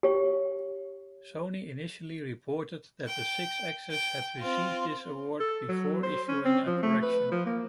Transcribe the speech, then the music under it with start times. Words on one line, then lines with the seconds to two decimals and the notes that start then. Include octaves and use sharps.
Sony initially reported that the Sixaxis had received this award before issuing a correction.
0.03 G4 C#5
3.07 G5
3.91 G5
4.39 C4 F4
5.40 A4
5.69 F#3
6.03 C5
6.28 C#4
6.45 C4
6.67 F3
6.83 A3
7.02 B4
7.32 F3
7.46 A#3